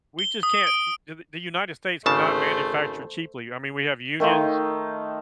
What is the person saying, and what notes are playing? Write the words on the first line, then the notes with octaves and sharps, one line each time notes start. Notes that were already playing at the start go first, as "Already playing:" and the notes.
we just can't the the United States cannot manufacture cheaply. I mean, we have unions,
G7
D#6
D7
G#1 C#3 A3 C5 A5
D#3 A3 D#4 F4